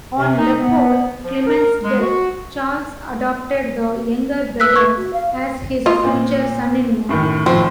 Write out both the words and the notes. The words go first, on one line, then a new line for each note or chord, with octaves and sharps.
On Leopold Clement's death, Charles adopted the younger brother as his future son-in-law.
C3
D#4
B3
F3
A#4
G#3
F#4
B4 E6 F#6 B6
C#6 G#6
F#4
F5
F4 D#5 C6
A#2 C4
F#2 A2 D#3
F3 C4